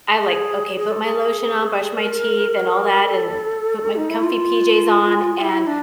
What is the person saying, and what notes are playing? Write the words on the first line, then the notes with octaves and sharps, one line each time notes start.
I like, okay, put my lotion on, brush my teeth and all that, and put my comfy PJs on and
G#4
G#4
A4
A4
G#4
A#4
A4
D#4
E4
F4
F4
E4
D4